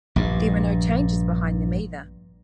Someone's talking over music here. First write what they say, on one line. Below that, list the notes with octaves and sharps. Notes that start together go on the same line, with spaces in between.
There were no changes behind them either.
A#1 G2